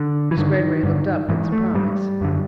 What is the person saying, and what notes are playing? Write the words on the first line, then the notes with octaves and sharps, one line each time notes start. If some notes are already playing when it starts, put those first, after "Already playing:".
Miss Greggory looked up in surprise.
Already playing: D3
E3
G2 D3 D#3
G2 D3
G#2 E3
A3
G#2 G3
F#2 D3